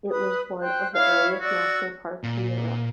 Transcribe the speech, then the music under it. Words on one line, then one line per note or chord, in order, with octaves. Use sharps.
It was one of the earliest national parks in Europe.
B4 D#6
C5 G5 F#6
E4 C#5 F5
F#4 D5 E6
A#2